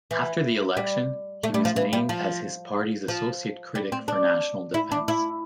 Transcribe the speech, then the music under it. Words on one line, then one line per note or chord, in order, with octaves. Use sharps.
After the election, he was named as his party's associate critic for National Defense.
E3
G3
A3
G3
F3
E3
G3
F3
F3
G3
C4
D4
E4
D4
E4